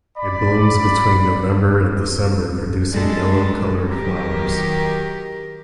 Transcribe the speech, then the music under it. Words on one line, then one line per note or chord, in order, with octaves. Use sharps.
It blooms between November and December producing yellow coloured flowers.
D5 B5
G3 G#3 D4 A4
D#3 F#3 G4 A#4